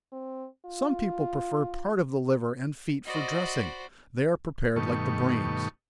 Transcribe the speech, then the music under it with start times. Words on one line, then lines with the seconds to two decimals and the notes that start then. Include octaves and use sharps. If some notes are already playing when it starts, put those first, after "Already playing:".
Some people prefer part of the liver and feet for dressing--they are prepared like the brains.
0.12 C4
0.65 F4
3.06 F#4 C5 D5 D#5 B5
4.76 G2 B2 D#3 A3 C#6